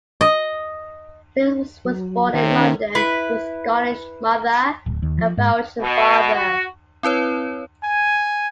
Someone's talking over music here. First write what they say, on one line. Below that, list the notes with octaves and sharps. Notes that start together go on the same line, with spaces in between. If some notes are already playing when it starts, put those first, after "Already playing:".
Claes was born in London to a Scottish mother and Belgian father.
D#5
F#3
C3 D#3 C#4
E4 B4
D1
D#2
F3
G#2
B2
F#4
C4 E4 B4 C#5
G#5